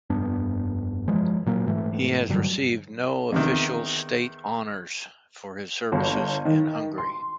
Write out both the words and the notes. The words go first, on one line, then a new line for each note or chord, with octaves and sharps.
He has received no official state honours for his services in Hungary.
F1 G2 B3 D4
E3 F3 G#3
A#2 F#3 A#3
G#2 E3 A3
G2 D3 F#3 G3
E2 C3 D#3
G1
D#3
C6